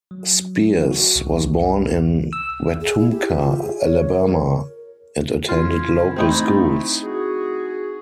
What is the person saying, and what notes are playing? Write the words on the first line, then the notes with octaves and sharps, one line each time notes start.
Spiers was born in Wetumpka, Alabama, and attended local schools.
F#3
F#4
C2
E6
G#4
E4
G4
F4
G#4
C#5
A#4
C#3 C#4 E4 F4
A3 C4 D#4 E4
F#4 G#4